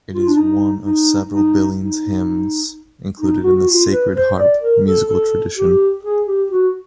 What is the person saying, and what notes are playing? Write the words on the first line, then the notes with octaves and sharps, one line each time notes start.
It is one of several Billings' hymns included in the "Sacred Harp" musical tradition.
F4
D4
D#4
D#4
D#4
D#4
D#4
F#4
F#4
F4
B4
C5
D5
A#4
A4
A4
G4
G#4
G4
F#4